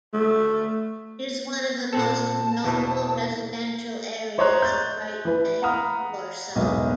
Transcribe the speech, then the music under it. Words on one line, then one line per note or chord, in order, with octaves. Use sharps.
It is one of the most notable residential areas of right-bank Warsaw.
A3
A#2 C4 A4 A5
E2 B2 E3
C5 C#5 D#5 A#5 C6 F#6
G6 A6
E3 B4
F5 F#5 A#5 B5 D#6 F6
E1 B1 B3 D#5 E5